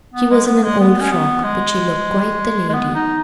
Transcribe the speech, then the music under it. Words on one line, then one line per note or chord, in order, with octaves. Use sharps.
She was in an old frock, but she looked quite the lady.
B3
G#3
B3
G#3
B3
C#4
B3
G#3
G#3
B3
D#4